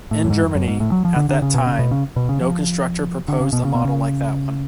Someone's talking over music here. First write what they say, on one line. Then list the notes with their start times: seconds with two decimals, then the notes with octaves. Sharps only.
In Germany. at that time, no constructor proposed a model like that one.
0.11 A2
0.25 F#2
0.30 G#2
0.43 F#2
0.55 F#2
0.68 G#2
0.80 A2
0.92 F#3
1.05 F3
1.16 D3
1.29 D3
1.42 C#3
1.54 B2
1.66 C#3
1.79 B2
1.91 C#3
2.16 B2
2.29 C#3
2.41 F3
3.28 D3
3.40 C#3
3.53 B2
3.65 C#3
3.75 B2
3.85 C#3